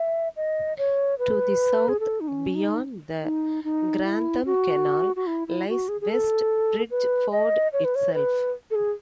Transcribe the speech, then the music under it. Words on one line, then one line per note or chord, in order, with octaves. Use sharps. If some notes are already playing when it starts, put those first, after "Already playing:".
To the south, beyond the Grantham Canal, lies West Bridgford itself.
Already playing: E5
D#5
C#5
B4
G#4
A4
D#4
C#4
D#4
D#4
D#4
E4
F#4
F#4
E4
E4
F#4
G#4
G#4
A4
B4
D#5
C#5
B4
C#5
B4
A4
G#4